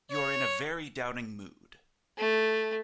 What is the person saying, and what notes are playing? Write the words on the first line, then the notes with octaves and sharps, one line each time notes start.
You are in a very doubting mood.
C#5
A3